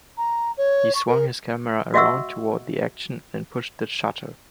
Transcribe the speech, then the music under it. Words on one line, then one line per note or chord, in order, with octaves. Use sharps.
He swung his camera around toward the action and pushed the shutter.
A#5
C#5
C#6
A#4
F#4 D#5 E5 F#5 C#6 E6